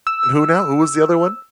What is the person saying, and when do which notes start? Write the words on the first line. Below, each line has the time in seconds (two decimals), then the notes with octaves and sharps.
And who now? Who was the other one?
0.07 E6